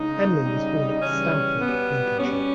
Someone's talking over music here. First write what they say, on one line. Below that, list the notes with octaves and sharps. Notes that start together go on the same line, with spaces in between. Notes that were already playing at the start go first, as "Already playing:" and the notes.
Emlyn was born at Stamford, Lincolnshire.
Already playing: C#3 G#3 D#4
C#3 G3
C#3 E3 G3 C#4
B2 G3 B3
B2 G3 C#4